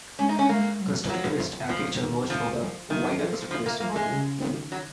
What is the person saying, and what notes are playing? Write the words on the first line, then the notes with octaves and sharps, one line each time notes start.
Constructivist architecture emerged from the wider constructivist art movement.
G#3 C#4
D#4
C#4
G#3 A#3
F#3
F3 F#3
F3
D#3
F3
F3
D#3 F#3
F3
F3
A#3
F3 A#3
G#3
C#3
D#3
F#3